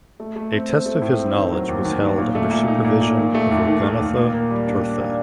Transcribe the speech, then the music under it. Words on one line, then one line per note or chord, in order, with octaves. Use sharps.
A test of his knowledge was held under supervision of Raghunatha Tirtha.
A3
A3
C4
C4
A3
A2
C4
D#3
F#3
D#2
D#2
D#3
A#2
A3
A#2
D#4
A#2
A#2
D#3
A3
D#2
D#3
A3
D#2
A#2
A#3
G3
D4
D4
A#2